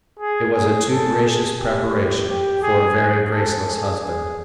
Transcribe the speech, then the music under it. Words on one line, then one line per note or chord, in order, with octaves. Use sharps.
It was a too gracious preparation for a very graceless husband.
G#4
G#4
A4
G#4
G4
G4
G#4
G#4
A4
G#4
G#4